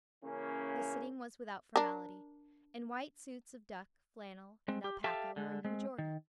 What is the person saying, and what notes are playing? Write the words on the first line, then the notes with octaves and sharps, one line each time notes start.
The sitting was without formality, and white suits of duck, flannel and alpaca were in the majority.
C#3 E3 A#3 C#4
D4 A#4
G#3 C4
G4
G4 A4 E5 F5 G5 A5
D3 G#3
G#3 C4
D#3